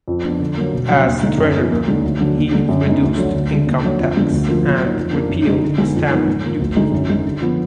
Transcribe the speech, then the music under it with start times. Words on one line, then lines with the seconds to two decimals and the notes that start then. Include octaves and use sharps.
As treasurer, he reduced income tax and repealed stamp duty.
0.08 F2
0.24 F3 B3 D4
0.40 D3
0.57 F#3 A#3
0.73 B2
0.90 F#3 D4
1.05 D#2
1.22 D3 G#3 D#4
1.38 F#2
1.55 F3 B3 D#4
1.71 D#2
1.87 D3 G#3 D#4
2.03 D2
2.20 D3 F#3 D4
2.36 D#2
2.52 D3 G#3
2.69 F#2
2.85 D3 G#3 B3 D#4
3.02 D2
3.17 D3 F#3
3.34 D2
3.51 D3 G#3
3.67 D#2
3.82 D3 F#3
3.99 F2
4.16 D3 G#3 B3 D4
4.32 D2
4.48 D3 F3 A#3
4.65 A#2
4.80 F#3 A#3 D#4
4.97 F2
5.13 D#3 A#3 D4
5.29 F#2
5.45 D3 G#3 D#4
5.62 D3
5.78 G#3 B3 D#4
5.94 F2
6.11 D#3 F#3 B3
6.27 G#2
6.44 F3 A#3
6.60 D2
6.76 D3 G#3 D#4
6.92 F#2
7.08 D#3 G#3 D#4
7.26 D3
7.41 F3 B3